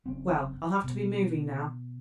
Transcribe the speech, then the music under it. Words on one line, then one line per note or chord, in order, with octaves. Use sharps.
Well, I'll have to be moving now.
F#1 C4 C#4
B2